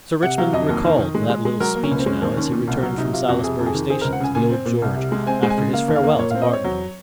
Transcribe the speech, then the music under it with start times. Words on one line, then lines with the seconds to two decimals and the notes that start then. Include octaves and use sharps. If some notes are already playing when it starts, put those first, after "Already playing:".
Sir Richmond recalled that little speech now as he returned from Salisbury station to the Old George after his farewell to Martineau.
0.23 C3 F#5
0.38 F#3 F5
0.53 F2 D#5
0.69 D#2
0.84 D#3
0.99 D#3
1.15 G#3
1.30 G#3
1.45 G#3
1.60 F#3 A#4
1.75 A#3
1.83 C#4
1.91 C#2
1.99 C4
2.06 G#3 C#4
2.22 D#2 C4
2.37 D#3 C#4
2.52 A#2
2.67 C2
2.83 F#3
2.98 C3 D#4
3.13 C3 F4
3.28 F2 F#4
3.44 C3 G#4
3.59 F2
3.66 G#4
3.74 D#3
3.90 C4 G#4
4.01 A#4
4.04 C#2
4.13 F#5
4.20 C#3 G#5
4.35 A#2 G#5
4.51 C4
4.65 A#2
4.82 C2
4.96 C3
5.12 G#3
5.27 C4 G#5
5.43 G#3
5.50 G#5
5.58 C#3
5.73 A#3 F5
5.88 D#2
5.96 F5
6.03 A#3
6.19 A#2 C#5
6.31 F5
6.34 C4
6.42 D#5
6.49 C4 C#5
6.64 F#3